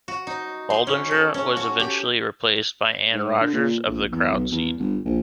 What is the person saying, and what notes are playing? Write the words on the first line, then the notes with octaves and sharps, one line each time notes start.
Baldinger was eventually replaced by Anne Rogers of The Crowd Scene.
F#4
D#4
C6
C#4
A4
C#4
F#4
G4
G#2
D3
A#2
A#1
E2
B1
E2
G1
A#1